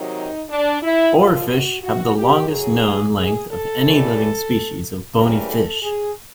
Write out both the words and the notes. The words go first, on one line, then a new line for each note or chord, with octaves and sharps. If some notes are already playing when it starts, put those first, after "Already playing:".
Oarfish have the longest known length of any living species of bony fish.
Already playing: C3 D#3 F#3 D#4
D4
E4
A#2 F3 F4
F#4
F#4
G4
A2 F#3 G#4
G#4
A4
A2 E3 G3
C#3 E3 G3 A#4
A4
G#4